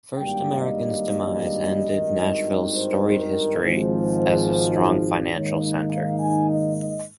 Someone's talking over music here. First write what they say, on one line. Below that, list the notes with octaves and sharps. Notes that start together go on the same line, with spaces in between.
First American's demise ended Nashville's storied history as a strong financial center.
G#1 G2 G3 A#3 G5
D#5
G#1 G2 D#3
C5
A#4
G#1 G#2 F3 C5
G#2 D#3 A#3 D#4 C#5
D#5
F5
G#5
D#5
D#5